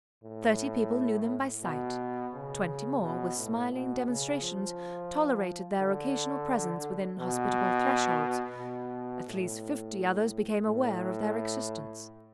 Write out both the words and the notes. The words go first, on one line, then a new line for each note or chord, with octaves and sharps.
Thirty people knew them by sight; twenty more with smiling demonstrations tolerated their occasional presence within hospitable thresholds; at least fifty others became aware of their existence.
A2
B2
C#3
B2
A2
B2
C#3
F3
D3
B2
B2
A2
A2